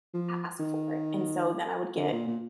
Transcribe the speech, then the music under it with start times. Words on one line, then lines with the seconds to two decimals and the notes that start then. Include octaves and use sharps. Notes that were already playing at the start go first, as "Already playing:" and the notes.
ask for it, and so then I would get
0.14 F3
0.59 D#3
1.97 D3
2.12 A#2
2.27 A#2